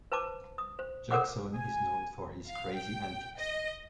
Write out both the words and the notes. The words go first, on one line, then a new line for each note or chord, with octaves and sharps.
Jaxson is known for his crazy antics.
B4 C5 A5 D6
D#6
C5
A4 A#4 C5 F#5 D6
G#5
F5
G5
D#5